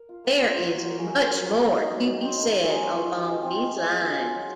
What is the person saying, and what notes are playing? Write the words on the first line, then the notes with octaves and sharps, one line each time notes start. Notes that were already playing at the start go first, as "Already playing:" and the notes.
There is much more to be said along these lines.
Already playing: A#4
F4
A#3
A#3 C5
F4
C#5
F#3
C5
F#3 A#4
A#3 G#4
A#4
F4
F#3
F#3
C4
D#4
F#3
F#3
C4 C5
D#4 A#4
F#3
G#4
F#3
C4 F#4
F4
G#3
G#3
C4
F4
G#3
G#3
G#4
C#4 F#4
F4
F#3